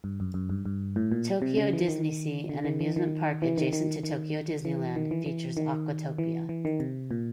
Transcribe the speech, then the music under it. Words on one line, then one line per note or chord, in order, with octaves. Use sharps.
Tokyo DisneySea, an amusement park adjacent to Tokyo Disneyland, features Aquatopia.
G2
F#2
F#2
G2
G2
A2
A#2
C3
C#3
E3
D#3
D3
D#3
E3
D#3
E3
D#3
D#3
D#3
E3
D#3
E3
E3
D#3
E3
E3
D#3
C3
A#2